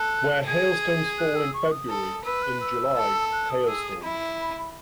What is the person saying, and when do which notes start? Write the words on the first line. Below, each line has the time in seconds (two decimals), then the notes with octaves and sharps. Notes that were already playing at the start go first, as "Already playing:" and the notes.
Where hailstones fall in February, in July, hailstorms.
Already playing: A4 F#6
0.47 G#4 G#6
1.18 F#6
1.36 E6
1.54 C#6
1.71 D#6
1.90 A4
2.25 B4 E6
2.42 F#6
2.61 E6
2.97 A4
3.32 F#6
3.50 D#6
3.67 G#4 E6
3.85 D#6
4.03 E4 B5